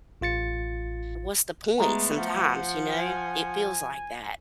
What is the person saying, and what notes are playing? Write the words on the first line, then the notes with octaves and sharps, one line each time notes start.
What's the point?" Sometimes, you know, it feels like that
A1 F4 A6 C#7
G#3 A3 B3 A#5
F3 F#5
G#5